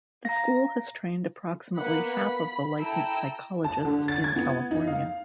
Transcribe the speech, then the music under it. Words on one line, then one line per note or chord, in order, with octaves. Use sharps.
The school has trained approximately half of the licensed psychologists in California.
F5 A#5 A#6
A#3 B3 B4 F#5 B5
B5
E4 A4 G5 A#5 E6
A5
D3
A6
G#6
B3
D#4
F5